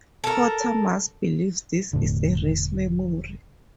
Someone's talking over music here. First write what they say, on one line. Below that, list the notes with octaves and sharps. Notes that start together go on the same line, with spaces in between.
Quatermass believes this is a race memory.
A4 A#4
E1 A2 D3